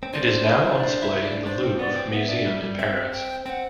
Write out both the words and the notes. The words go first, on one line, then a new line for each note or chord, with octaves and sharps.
It is now on display in the Louvre museum in Paris.
C4
D4 C5
E4
D4
E4
D4
D4 C5
C4
B3 D5
C4
B3 E5 F#5
D4
G3
G3
C4 E5
G5
C4 F#5 G5